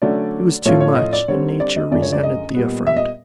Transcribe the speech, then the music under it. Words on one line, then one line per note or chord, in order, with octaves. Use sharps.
It was too much, and Nature resented the affront.
D3 F#3 A3 C#4 D5
A2 F3 A3 C#4 F4 C#5
C#5
D#5
D5
D3 G3 C4 C#5
D5
D#5
F#2 D3 F3 G#3 D5
C#5
D5
D#5
A#2 G3 B3
E5
D#5